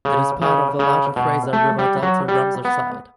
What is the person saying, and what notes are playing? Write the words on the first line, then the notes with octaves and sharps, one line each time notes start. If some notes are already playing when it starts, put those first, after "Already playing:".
It is part of the larger Fraser River Delta Ramsar Site.
C#3
C#3
C#3
B2
A3
G3
F#3
G3
B3